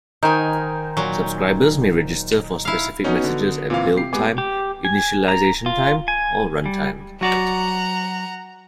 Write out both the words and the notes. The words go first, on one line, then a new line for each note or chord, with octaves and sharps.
Subscribers may register for specific messages at build time, initialization time or runtime.
D#3 D#4 A#4 C5 G#5
A#2 F#3
E4 F5
B3 C#4 D#4 F#4 D#6
D3
A#2 E3 C4 F4 B4 F5
C3 G4 C7
G#3 B3 G4 G#5 D6
G4
G#5
A#5
F4
G#5
G3
F#3 F#4 D5 F#5 A#5